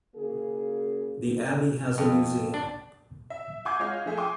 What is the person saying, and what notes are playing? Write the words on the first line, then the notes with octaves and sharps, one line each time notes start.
The Abbey has a museum.
C#3 A#3 F#4 G#4
F2
D4
E5
F#5 G#5 C6 D6 G6 G#6
G#3 F4 C#5 D#5 F5
F3 A3 G#4 E5
G5 G#5 C6 D6